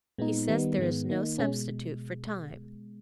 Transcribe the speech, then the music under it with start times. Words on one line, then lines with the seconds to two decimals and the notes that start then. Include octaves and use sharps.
He says there is no substitute for time.
0.18 A#2 G#3 B3 D#4
0.48 D#3 G3 B3 D#4
0.78 G#2 D#3 G#3 B3
1.09 D#3 A#3 D#4
1.38 B2 G#3 C#4